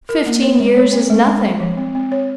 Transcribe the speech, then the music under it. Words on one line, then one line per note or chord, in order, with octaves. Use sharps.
Fifteen years is nothing.
A#4
A#3
C#5
G#3
C#5
C4
G#3
G#3
C5
F3
C4
C4
C#5